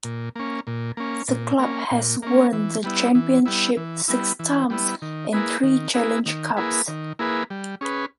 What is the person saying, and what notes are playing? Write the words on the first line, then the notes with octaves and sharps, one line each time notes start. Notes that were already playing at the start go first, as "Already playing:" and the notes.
The club has won the Championship six times and three Challenge Cups.
A#2
A#3 C#4
A#2
A#3 C#4
A#2
A#3 C#4
A#2
A#3 C#4
E3
G3 B3 E4
E3
G3 B3 E4
E3
G3 B3 E4
E3
G3 B3 E4
D#3
A#3 E4 G#4 B4
D#3
A#3 E4 G#4 B4
D#3
A#3 E4 G#4 B4
D#3
A#3 E4 G#4 B4
G3
C#4 G#4 B4